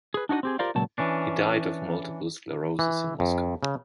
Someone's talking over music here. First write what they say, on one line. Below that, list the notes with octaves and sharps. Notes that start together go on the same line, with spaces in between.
He died of multiple sclerosis in Moscow.
G#4 B4
D4 D#4 F#4 C#5 D#5
C4 G4 G#4
F4 G4 A#4 C5 D5 F5
C#2 A#2 F#3 A5
E3 C#4 D4
E3
F2
C#3